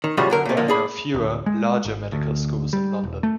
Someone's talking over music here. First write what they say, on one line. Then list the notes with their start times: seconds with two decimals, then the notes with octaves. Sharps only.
There are now fewer, larger medical schools in London.
0.04 D#3
0.17 A2 C#3 F3 G3 G#3 F#4
0.30 F#2 D3 A#4
0.45 A#2 A3
0.57 D3 F3 A#3
0.68 D4 G#4 B5
1.14 D1
1.46 G#3
1.85 G#1
2.12 D2
2.73 G3
3.03 E1
3.23 A3